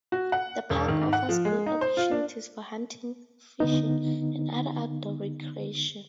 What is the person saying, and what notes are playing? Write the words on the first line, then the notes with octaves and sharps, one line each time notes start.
The park offers good opportunities for hunting, fishing, and other outdoor recreation.
F#4
F#5
E1
D#3
G#2
F#5
F3
G#3
D#4
C5
F4
D4
D3 B3 D#4